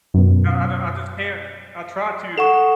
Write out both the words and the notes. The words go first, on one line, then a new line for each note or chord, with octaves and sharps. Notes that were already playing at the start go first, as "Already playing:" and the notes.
I I I just can't I try to
F#2 B2
A4 F#5 C#6 E7